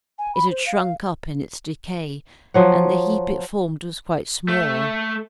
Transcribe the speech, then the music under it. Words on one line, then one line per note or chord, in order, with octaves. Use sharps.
It had shrunk up in its decay, and the heap it formed was quite small.
G#5
B5
C5
F5
F3 F#3 F#5
A3